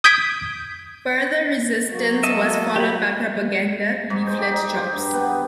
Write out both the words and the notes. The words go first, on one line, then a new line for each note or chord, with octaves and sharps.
Further resistance was followed by propaganda leaflet drops.
D#6 G6 G#6 B6 D7
F#3 A#3 F#4
A4 D#5 E5
G4 B5
G#2
C5
G4
D#4
C5
G2
B3